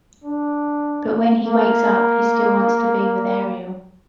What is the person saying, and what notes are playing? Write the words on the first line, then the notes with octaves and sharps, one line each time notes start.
But when he wakes up, he still wants to be with Aeriel.
D4
A#3